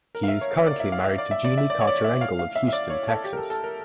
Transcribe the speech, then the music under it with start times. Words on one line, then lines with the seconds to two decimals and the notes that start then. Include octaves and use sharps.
He is currently married to Jeanie Carter Engle of Houston, Texas.
0.15 A#4
0.23 F5
0.28 E5
0.41 C#5
0.54 C#5
0.66 D5
0.80 E5
0.92 F5
1.05 E5
1.18 D5
1.31 E5
1.45 D5
1.58 E5
1.70 D5
1.81 C#5
1.87 D5
2.04 E5
2.21 F5
2.39 F5
2.56 E5
2.68 E5
2.73 D5
2.90 C#5
3.08 A4
3.24 G4
3.33 A#4
3.37 A4
3.50 A4
3.64 A#4